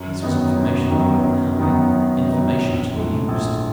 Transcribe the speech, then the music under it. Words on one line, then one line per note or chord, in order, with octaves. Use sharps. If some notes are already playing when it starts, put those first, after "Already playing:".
This was information worth having--information to be used!
Already playing: F#2
D#3 F#3 B3 D#4
F#2
D#3 F#3 B3 D#4
F#2
D#3 F#3 B3 D#4
F#2
D#3 F#3 B3 D#4
A#1
G#2 E3 A3
A#1